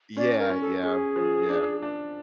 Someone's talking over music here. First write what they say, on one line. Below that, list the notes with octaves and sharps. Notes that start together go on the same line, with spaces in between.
Yeah, yeah, yeah.
C#4 D5
A#4
C#4
A4
C#4 G#4 A4
F3
D4
D4